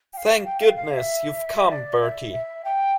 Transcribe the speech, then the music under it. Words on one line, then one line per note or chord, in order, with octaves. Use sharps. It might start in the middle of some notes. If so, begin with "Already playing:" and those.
Thank goodness you've come, Bertie.
G5
F5
G5
F5
F5
E5
D5
E5
E5
G5